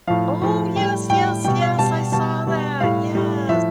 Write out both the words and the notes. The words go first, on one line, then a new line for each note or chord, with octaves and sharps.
Oh, yes, yes, yes, I saw that, yes.
A2 F3 F5
A2 F3
A2 G3 G5
A2 G3 G5
B2 G3 G5
F5
B2 G3 A5
B2 G3 A5
B2 G3
A2 G3 F5
A2 G3
A2 F3 E5